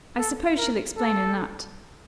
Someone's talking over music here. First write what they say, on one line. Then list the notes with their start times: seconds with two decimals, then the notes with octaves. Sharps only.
I suppose she'll explain in that.
0.18 A4
0.57 A#4
0.97 A4